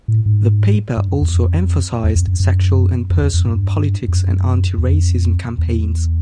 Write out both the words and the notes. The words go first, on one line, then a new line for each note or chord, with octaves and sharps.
The paper also emphasised sexual and personal politics and anti-racism campaigns.
A2
G#2
G2
F#2
E2
F2
E2
F2
F#2
F#2
F2
E2
F2
G2
F2
F#2
E2
F2
E2